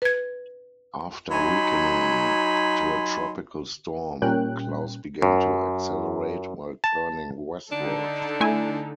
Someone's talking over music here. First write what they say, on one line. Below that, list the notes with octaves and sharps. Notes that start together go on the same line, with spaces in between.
After weakening to a tropical storm, Klaus began to accelerate, while turning westward.
B4 G#6
F#3 D#4 G#5 B5 C6
A#2 G3 C#4 A#4 G5 F#6
F#2
A5
D3 D4 D#4 A4
A3 E4 G#5